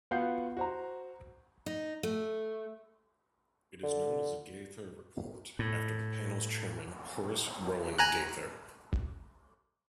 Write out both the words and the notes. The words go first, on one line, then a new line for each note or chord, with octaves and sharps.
It is known as the Gaither Report after the panel's chairman Horace Rowan Gaither.
B3 F4 F#4 F#5 G6 C7
F#4 C5 A#5
D#4
A3
D3
A2
G#5 A#5 F#6